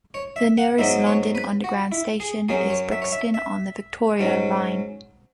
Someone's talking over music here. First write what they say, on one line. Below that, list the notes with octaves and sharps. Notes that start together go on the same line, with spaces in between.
The nearest London Underground station is Brixton on the Victoria line.
C#5
E5
F#5
G#2 F#3 B3 E5
C#5
B4
F#4
E4
G#4
F#2 F#3 C#4 G#4
C#5
E5
C#5
E5
E5
G#2 F#3 C#4